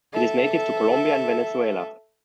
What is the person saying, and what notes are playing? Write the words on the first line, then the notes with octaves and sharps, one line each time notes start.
It is native to Colombia and Venezuela.
A4 E5